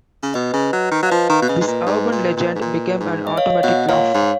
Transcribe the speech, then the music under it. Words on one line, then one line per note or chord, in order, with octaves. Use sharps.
This urban legend became an automatic laugh.
C#3
B2 B4 D#5
C#3
F#3
D#3
F#3
F5
F3 B4 D#5
D#3
B2
C#3 B4 D#5
G#2
A#2
G#2
A#2
A#2
G#2
A#2
G#2
D#5
C#5 F5
B2 D#5 F#5
A#2 C#5 F5
G#2